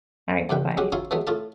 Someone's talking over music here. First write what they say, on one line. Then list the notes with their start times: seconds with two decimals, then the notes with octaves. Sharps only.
Alright, bye-bye.
0.49 C#2 G2 B4 G5
0.77 G#3 C#4 F#4 G4
0.92 F#3 C#4 E4 F4 C#5 F5
1.11 E3 F#3 G#3 A3 B3
1.27 A2 A3 F4 A5